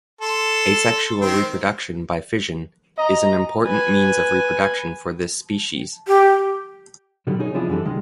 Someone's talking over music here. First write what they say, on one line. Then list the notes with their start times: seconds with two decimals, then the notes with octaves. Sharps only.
Asexual reproduction by fission is an important means of reproduction for this species.
0.21 A4 C6
1.22 D#3 C4
2.98 D#5 A#5
3.66 B4 G#5
6.07 G4
7.27 B2 D3 D#3 F#3 G3
7.40 D#4 G#4 C#5
7.54 C3 F3 G#3 D4 E4 G#4
7.68 F#2 E3 D4 G4 A4
7.85 C2 D#3 G#3